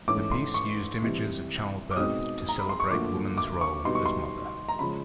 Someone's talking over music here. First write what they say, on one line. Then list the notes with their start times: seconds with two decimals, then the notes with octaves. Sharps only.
The piece used images of childbirth to celebrate woman's role as mother.
0.08 G#2 E3 A3 C#4 D6
0.31 C6
0.54 C#6
1.02 C3 E3 G3
1.91 D6
1.96 B2 G#3 C4 D#4 D#6
2.49 A#5
2.59 B5
2.69 C6
2.80 C#6
2.90 D2 D3 F3 A#3 D6
3.38 D6
3.61 C#6
3.85 B2 G3 B3 D#4 C6
3.95 C#6
4.06 C6
4.69 A#5
4.79 C#3 F3 G#3 B5